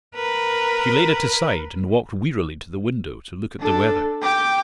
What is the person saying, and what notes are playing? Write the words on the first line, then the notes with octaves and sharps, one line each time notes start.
She laid it aside, and walked wearily to the window to look at the weather.
A#4 B4
D4 A4
G5 D6